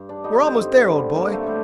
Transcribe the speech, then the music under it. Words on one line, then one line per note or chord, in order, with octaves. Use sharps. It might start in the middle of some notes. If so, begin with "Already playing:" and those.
We're almost there, old boy.
Already playing: G2
D4 D5
D3 G3 D#4 D#5
C4 C5
G2
D3 G3
G2 A#3 A#4
A3 A4
F#3 G3 G4